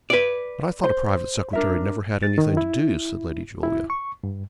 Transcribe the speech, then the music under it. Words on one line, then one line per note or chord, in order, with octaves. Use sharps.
"But I thought a private secretary never had anything to do," said Lady Julia.
B4 D5
C5
D4 A#4 E5
A6
D#3
E4
E4
C#6
G2